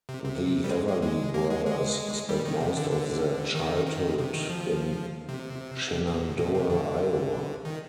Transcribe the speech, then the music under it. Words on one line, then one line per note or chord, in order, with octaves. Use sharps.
The Everly brothers spent most of their childhood in Shenandoah, Iowa.
C3
C3
G3
G#3
G#3
G#3
A#3
G#3
G#3
G3
D#3
C3
D3
D3
D#3
D#3
C3
D#3
F3
C3
A#2
A#2
C3
D3
D#3